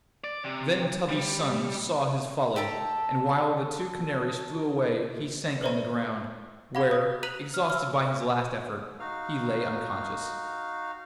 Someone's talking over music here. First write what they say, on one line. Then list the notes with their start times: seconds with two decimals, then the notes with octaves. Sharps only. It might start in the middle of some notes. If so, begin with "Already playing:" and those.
Then Tubby's son saw his folly, and while the two canaries flew away he sank on the ground, where, exhausted by his last effort, he lay unconscious.
0.24 D5
0.44 C3
1.09 G3
2.56 G4 A4 A#5
5.61 A4 B4 C5 D5 E5 A#5
6.75 F5 F#5 B5 D6 G#6
6.91 D#6
7.23 A#5 F#6 B6 D#7 F7 F#7
7.54 F6
7.70 E6 F6
9.00 D#4 F#4 F5 F6